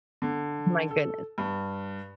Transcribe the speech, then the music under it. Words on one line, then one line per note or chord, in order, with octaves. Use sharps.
My goodness.
D3
A4
G2